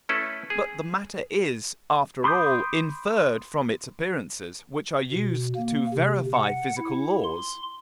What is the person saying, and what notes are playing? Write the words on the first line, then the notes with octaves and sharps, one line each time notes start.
But the matter is, after all, inferred from its appearances, which are used to VERIFY physical laws.
A3 C#4 E4 A4 B4
G#4
B5 C6 D6 D#6 G6
B2
A#3
C3
F#5
E4
C6